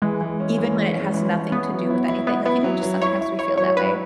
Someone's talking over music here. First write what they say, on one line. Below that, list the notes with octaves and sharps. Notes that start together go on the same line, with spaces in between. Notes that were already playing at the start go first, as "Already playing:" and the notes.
even when it has nothing to do with anything, like, you know, just sometimes we feel that way?
E3 G#3
E3
C#4
E3
E3
C#4
E3
C#4
B3 E4
F#3
E4
E4
B3 E4
B3 E4
F#3
F#3
E4 C#5
E4
E4 C#5
F#3 C#5
F#3 B4